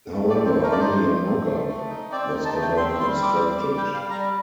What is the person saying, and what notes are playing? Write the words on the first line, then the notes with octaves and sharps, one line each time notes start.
However, only a mockup was ever constructed.
A3
D5
C4
C5
A3
A#4
D5
D#4 C5
A3
C4
A3
A3
D#4
C4 D5
G5
D#4
A5
A3
G5
C4 C6
G3 C6
C4 D6
G3
D6
G3
G5
G3
F5
G3 A#5